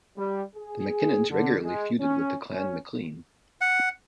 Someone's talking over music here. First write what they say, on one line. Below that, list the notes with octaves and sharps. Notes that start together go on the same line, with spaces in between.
The Mackinnons regularly feuded with the Clan Maclean.
G3
G#4
D3
G#3
C#4
C#4
F#5